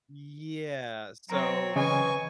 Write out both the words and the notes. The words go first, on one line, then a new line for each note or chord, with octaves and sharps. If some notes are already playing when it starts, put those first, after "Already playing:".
Yeah, so
F#3 C4 C#5 A#5
C#3 E3 C#4 D#5 G#5 C#6